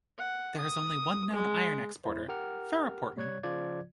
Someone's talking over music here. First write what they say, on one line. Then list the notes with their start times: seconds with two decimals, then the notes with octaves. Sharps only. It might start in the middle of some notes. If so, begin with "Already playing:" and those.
There is only one known iron exporter, ferroportin.
0.19 F#5
0.58 D#6
1.33 G#3
2.04 E2 E4 C5
2.28 G4 A#4 F#5 G5 F6
3.16 C3 G3 C#5 F#6 G#6
3.43 C#3 F3 F4 D5 G#6